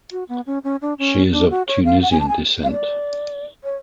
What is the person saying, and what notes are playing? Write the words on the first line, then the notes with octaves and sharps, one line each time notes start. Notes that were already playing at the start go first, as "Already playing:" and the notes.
She is of Tunisian descent.
F#4
B3
C#4
C#4
D4
C#4
D4
F#4
C#5
F5
F#5
G#5
A5
G#5
F5
D5
C#5